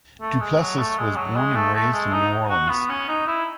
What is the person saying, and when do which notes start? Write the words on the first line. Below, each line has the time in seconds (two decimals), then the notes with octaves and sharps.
Duplessis was born and raised in New Orleans.
0.21 A3
0.40 G#3
0.60 F#3
0.80 A3
0.98 G#3
1.17 F#3
1.37 G#3
1.55 A3
1.74 A3
1.93 G#3
2.13 D#4
2.50 F#4
2.69 B3
2.90 C#4
3.09 D#4
3.27 E4